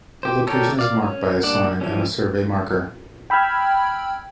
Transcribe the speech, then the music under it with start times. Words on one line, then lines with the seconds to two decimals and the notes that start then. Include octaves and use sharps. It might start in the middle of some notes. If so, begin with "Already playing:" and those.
The location is marked by a sign and a survey marker.
0.23 G4 C5
0.47 A4 A#4 C#5 D5 G5
0.79 D5 F5
1.03 C#4
1.43 G3 A#3 D4 D5 F#5
1.81 E3 F3 G3 C#4
3.30 G5 B5 E6 F6 G#6